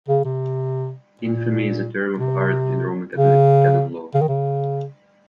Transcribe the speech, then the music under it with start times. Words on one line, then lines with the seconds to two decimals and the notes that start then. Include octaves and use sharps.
Infamy is a term of art in Roman Catholic Canon Law.
0.08 C#3
0.24 C3
1.21 A#2
2.18 C3
3.16 C#3
4.14 C#3
4.21 D#3
4.28 C#3